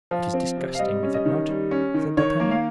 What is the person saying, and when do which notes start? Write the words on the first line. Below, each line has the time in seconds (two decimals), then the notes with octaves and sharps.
"It is disgusting, is it not?" said D'Artagnan.
0.11 F3
0.34 C4
0.57 C3
0.75 F5
0.79 G3 D#5
1.03 C#4
1.14 D#5
1.25 D#3
1.49 G3
1.71 C#4
1.94 D#3
2.17 D#3 C#5
2.40 A#3
2.51 F5